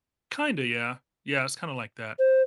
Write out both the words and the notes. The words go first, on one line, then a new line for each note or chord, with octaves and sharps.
Kinda, yeah. Yeah, it's kinda like that,
C5